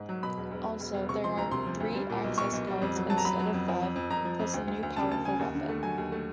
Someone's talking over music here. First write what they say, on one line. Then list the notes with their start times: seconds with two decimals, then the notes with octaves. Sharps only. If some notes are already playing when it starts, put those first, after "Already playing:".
Also there are three access cards instead of five plus a new powerful weapon.
Already playing: G#2
0.09 F#3
0.23 B2 B5
0.37 E1
0.51 E1
0.66 E1
0.80 E1
0.94 E1
1.09 C3 C#6
1.24 F3 C6
1.37 D2 A#5
1.51 C3 C6
1.66 F3
1.80 D2
1.95 G3
2.10 A#2
2.24 B1
2.38 B1 C#6
2.53 B1
2.67 G3
2.82 F2
2.96 F#3
3.10 F#3 A5
3.18 A#5
3.25 F#3 B5
3.39 F#3
3.54 F2
3.68 F3
3.82 F2
3.96 F2
4.10 F2 A#5
4.25 F3
4.39 F2
4.54 D2
4.68 D2
4.83 D2
4.96 C#3 A5
5.11 D2 A5
5.25 C#3 G#5
5.39 D#2
5.55 D3
5.69 A3
5.83 F#3 G#5
5.98 D#2
6.12 A3